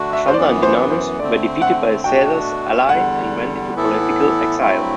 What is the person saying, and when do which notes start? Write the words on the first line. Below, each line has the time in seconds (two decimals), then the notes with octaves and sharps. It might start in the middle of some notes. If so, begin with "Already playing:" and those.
Asander and Dynamis were defeated by Caesar's ally and went into political exile.
Already playing: D3 A3 D4 F#4
0.13 E5
0.28 C5
0.34 F#2 E3 B3 D5
0.63 C5
0.90 C5
1.19 D3 A3 C4 D5
1.62 F#5
2.04 B2 A3 D4 F#4 G5
2.89 E2 D3 G3 F#5
3.75 A2 E3 B3 E4 A4
4.59 G2 F#3 A3 C4 E4